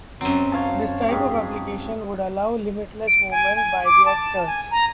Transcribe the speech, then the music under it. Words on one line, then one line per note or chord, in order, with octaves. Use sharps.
This type of application would allow limitless movement by the actors.
F#2 F#3 C4
C#5 F5 A5
G#2 G4
D7
G#5
G#5
D6
A5
G#5
A#5